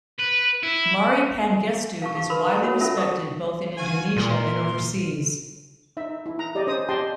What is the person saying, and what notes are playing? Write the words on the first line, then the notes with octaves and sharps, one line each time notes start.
Mari Pangestu is widely respected both in Indonesia and overseas.
B4
E4
F5 A5 C#6
F5 C#6
A#4 B4 B5 C6
F#4 A4 C#5 F#5 B5
C#4 F4 A#4 E5 A5
C5 C#6 D#6
F4 F#4 G#5
A#2 A#4 C6
D#4 E5
E4
A#5
G4 D5 D#5
C#4 C5 D#6
G4 D5 D#5 G5 A5 C6